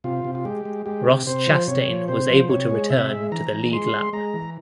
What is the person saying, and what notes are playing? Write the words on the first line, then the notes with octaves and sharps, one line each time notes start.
Ross Chastain was able to return to the lead lap.
C3 F4
C3
F4
G#3 G4
G#3
G#3 G4
C3
C3 C5
F3
C3 C#5
F3
C3 C5
F3
C3 C#5
G#3
C3 E5
G#3
E3 A#5
E3
G#3 C6
G#3
G#3 A#5
E3